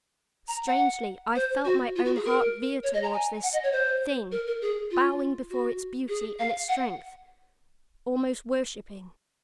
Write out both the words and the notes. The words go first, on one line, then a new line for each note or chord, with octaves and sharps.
Strangely I felt my own heart veer toward this--Thing; bowing before its beauty and its strength; almost worshiping!
A#5
F#5
C5
F#4
F4
F#4
G#4
A#4
C#5
D#5
A#5
G#5
F#5
D#5
C#5
C5
A#4
A#4
G#4
F4
F#4
G#4
F5
F#5